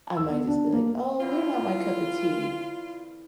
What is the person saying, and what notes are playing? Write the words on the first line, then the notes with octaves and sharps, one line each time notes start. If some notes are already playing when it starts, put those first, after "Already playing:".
I might just be, like, "Oh, they're not my cup of tea."
E6
B3
D4
A#3
D3 E3 C4 F4